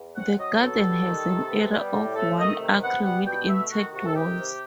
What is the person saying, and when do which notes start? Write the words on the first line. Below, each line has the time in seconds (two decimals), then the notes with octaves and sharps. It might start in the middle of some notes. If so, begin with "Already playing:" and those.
The garden has an area of one acre with intact walls.
Already playing: E2
0.16 C4 F#5
0.38 F#3 D#5
0.60 B2 A4
0.82 G3
1.05 D#3
1.27 C3
1.49 B3
1.71 G3
1.93 A2
2.15 A3 A4
2.37 D#3 D#5
2.59 C3
2.82 B3 F#5
3.04 G3 F#5
3.26 B2 G5
3.48 A3 E5
3.70 D#3 F#4
3.93 C3 F#4
4.06 A4
4.14 D#3 G4
4.36 C3